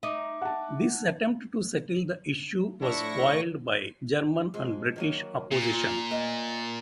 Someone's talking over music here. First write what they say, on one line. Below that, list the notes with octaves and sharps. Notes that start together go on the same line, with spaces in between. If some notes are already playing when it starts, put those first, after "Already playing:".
This attempt to settle the issue was foiled by German and British opposition.
D#4 E5 D6
F#5 A5
A2 F3 D4 E4 C#6 A#6
F2 G#3
D#3 F#3 A#3
A#2
F4
A#3 D#5